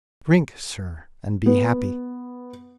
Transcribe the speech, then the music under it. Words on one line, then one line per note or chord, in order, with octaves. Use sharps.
Drink, sir, and be happy!
B3